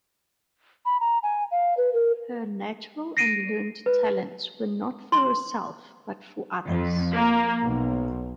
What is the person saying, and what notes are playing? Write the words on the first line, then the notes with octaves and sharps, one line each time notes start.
Her natural and learned talents were not for herself but for others.
B5
A#5
G#5
F5
B4
A#4
A#6 C7 D7 D#7
B4
C6
F2
A#3
B1